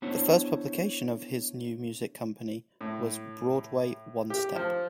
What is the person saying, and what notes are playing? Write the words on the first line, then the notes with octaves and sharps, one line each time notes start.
The first publication of his new music company was "Broadway One-Step".
B3 D4 E4 C5 C#5
A2
G4
F3